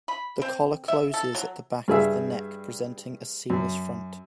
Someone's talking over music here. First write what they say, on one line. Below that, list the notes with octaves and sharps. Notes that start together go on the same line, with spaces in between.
The collar closes at the back of the neck, presenting a seamless front.
B5
C4
E5
A4
F#3
G2 G#4 E5
F#2